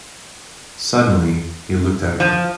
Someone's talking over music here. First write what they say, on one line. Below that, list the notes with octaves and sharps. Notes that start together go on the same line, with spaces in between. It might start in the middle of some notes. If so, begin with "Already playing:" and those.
Suddenly he looked at her.
F3